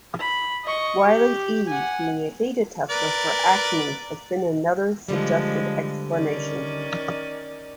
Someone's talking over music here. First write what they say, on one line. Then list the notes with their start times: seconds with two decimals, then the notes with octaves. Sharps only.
Wile E. being a "beta tester" for Acme has been another suggested explanation.
0.20 B5
0.64 D#5 C#6
1.04 G4
1.68 F#5 G#5
2.90 A#4 B4 D5
5.09 D3 F3 G3 G#3
6.10 D#3 C#4 D5